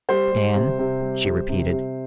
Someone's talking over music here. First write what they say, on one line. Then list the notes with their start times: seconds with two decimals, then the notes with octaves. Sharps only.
"Dan?" she repeated.
0.09 G3 C5
0.32 G3
0.55 C3
0.79 C3
1.01 G3
1.24 G3
1.48 C3
1.72 C3